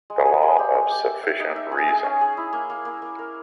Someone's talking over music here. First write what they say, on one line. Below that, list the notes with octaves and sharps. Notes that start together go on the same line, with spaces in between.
The law of sufficient reason.
G#3
G#4
G#3
G4
G#3
G4
E5
E5
D#4
E5
G#4
G#4
C#4
G#4
E4
A#3
A#3
A#3
A#3
A#4